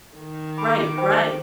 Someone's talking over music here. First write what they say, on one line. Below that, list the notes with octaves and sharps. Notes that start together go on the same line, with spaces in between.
Right, right.
D#3
B5 D6
C5 G5 B5